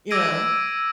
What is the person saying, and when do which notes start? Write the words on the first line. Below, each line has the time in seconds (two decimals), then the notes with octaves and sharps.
You know.
0.11 D6 E6 G#6 A#6 D7 D#7